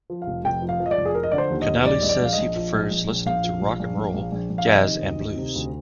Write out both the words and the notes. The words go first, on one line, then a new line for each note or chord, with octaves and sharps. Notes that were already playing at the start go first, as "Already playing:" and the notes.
Connelly says he prefers listening to rock and roll, jazz, and blues.
F3
F5
F1
F1 G5
F3
F5
F3
D#5
D5
F1
G#4
F3 A#4
D#5
D3 D5
C5
D#2
D#5
D#2
D#5
A#1 D5
A#1 D#5
D5
A#1 F5
D#5
A#1
F3
A#1
A#1
A#1
A#1 F5
F3
A#1
A#1
A#1
A#1
A#1
A#1
F5
C3 D#5
D#3
D2
D#3
C3
D2